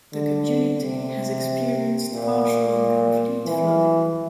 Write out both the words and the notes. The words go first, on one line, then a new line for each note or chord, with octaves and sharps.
The community has experienced partial and complete flooding.
D3
C3
A#2
E3